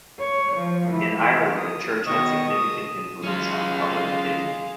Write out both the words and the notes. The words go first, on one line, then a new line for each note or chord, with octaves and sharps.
In Ireland the church had significant influence on public opinion.
C#5
F3
E3
D#6
B2 D#3 D#5 C#6 D#6
D#6
F#3 G#3 C#4 F4 F5 F6